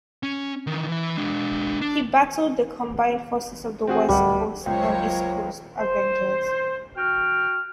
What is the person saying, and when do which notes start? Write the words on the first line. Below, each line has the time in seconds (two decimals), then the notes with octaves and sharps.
He battled the combined forces of the West Coast and East Coast Avengers.
0.23 C#4
0.67 D#3 E3
0.89 E3 E5
1.17 G#3 D4
1.82 D4
3.87 C4 F#4 G#4
4.09 D1 G3 F#5
4.66 C#2 F#3 A#3 C5 C#5 G5
5.79 C5
6.95 F#4 G5 F6